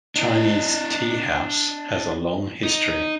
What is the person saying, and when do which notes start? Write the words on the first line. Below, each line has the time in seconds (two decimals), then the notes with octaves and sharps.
Chinese tea house has a long history.
0.16 D4 D#5
2.63 D#4